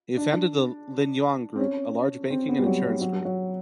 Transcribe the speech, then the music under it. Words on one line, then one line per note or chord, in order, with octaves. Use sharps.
He founded the Lin Yuan Group, a large banking and insurance group.
D4
C4
C#4
C4
B3
G3
F#3
F#3
F#3
F#3